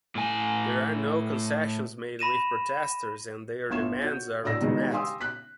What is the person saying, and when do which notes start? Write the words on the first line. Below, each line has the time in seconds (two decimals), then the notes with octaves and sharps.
There are no concessions made with protesters and their demands aren’t met.
0.15 A2 G#5
2.19 B5 A#6 D#7 E7
3.70 G1 F4 C#6 G#6 E7
4.01 F#4 C#5 G6
4.43 D2 A2 D5 E6 A#6
4.61 E2 B2 D#3 G3 G#3
4.92 G4 F5 G#5 C6 D#6 E6
5.21 F#6 B6